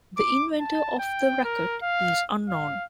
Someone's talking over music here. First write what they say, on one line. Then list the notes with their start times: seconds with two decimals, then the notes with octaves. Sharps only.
The inventor of the rackett is unknown.
0.18 D6
0.60 A5
0.99 G5
1.45 A#4
1.83 F5
2.49 F5